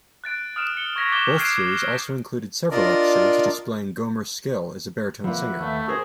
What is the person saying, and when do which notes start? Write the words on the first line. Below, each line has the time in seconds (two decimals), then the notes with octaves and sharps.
Both series also included several episodes displaying Gomer's skill as a baritone singer.
0.24 F#6 A6 D7
0.56 D#6 F6 D7 E7
0.77 C#7 G7
0.96 C#6 G#6 A#6 B6 F7
1.12 D6 F#6 G6 A6 E7 G7
1.38 F6 F#6 G#6 C7 D7 D#7
2.71 D4 F4 A#4 D5 D#5
5.24 F3 A#3 B4 E5 F#5
5.59 D#2 A3
5.88 G4 G#4 A#4 C5